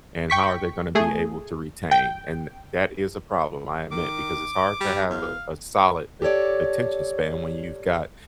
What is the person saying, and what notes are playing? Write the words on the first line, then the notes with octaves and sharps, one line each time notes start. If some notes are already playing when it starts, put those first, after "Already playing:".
and "how are they gonna be able to retain?" And that is a problem, I admit, because it's hard to have a solid at attention span when you've got
G5 C#6 B6
A3 G#4
G5
D#3 D6
G3
E2 F5
G4 A4 C#5 D5